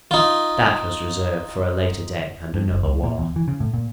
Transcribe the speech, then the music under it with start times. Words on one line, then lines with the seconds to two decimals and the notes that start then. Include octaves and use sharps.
That was reserved for a later day and another war.
0.11 D#4 F4
2.54 G2
2.71 F#1
2.83 C#2
3.04 A#2
3.18 E2
3.36 E3
3.48 C#3
3.60 A2
3.74 A#2